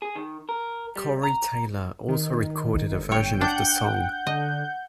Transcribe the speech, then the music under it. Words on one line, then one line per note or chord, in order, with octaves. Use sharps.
Corey Taylor also recorded a version of the song.
G#4
D#3
A#4
G3
A#5
D#3
G1
C#5 G5
D4 F#5 G6
D3 D#5